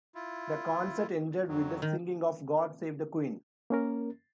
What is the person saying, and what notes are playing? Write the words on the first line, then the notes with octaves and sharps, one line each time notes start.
The concert ended with the singing of "God Save the Queen".
E4 F4
F2 F#3
D#3
A#3 C#4 A#4